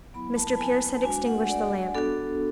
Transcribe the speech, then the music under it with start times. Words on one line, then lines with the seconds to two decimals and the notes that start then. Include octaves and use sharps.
Mr. Pearce had extinguished the lamp.
0.14 F#3 B3 E4 B5
0.36 A5
0.59 G#5
1.04 G#3 D4 F#4 G#5
1.26 F#5
1.49 D5
1.94 B3 D4 F#4 A4